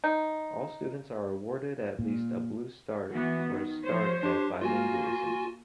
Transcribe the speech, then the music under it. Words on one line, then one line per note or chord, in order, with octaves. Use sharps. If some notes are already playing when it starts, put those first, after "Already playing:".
All students are awarded at least a blue start for a start at bilingualism.
D#4
A#2
E3 B3 F#4
D#3
F3 C5 C#5
D4 G4
A#3 F4 F#4 G#5